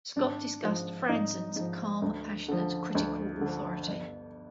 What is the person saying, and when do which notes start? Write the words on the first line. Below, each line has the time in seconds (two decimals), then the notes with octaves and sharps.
Scott discussed Franzen's, calm, passionate critical authority.
0.16 G#1 D4
0.63 G#2 F3
1.09 G#1 D#4
1.56 G#2 F3
2.02 D2
2.48 D3 F3
2.95 D2
3.41 D3 F3
3.88 G1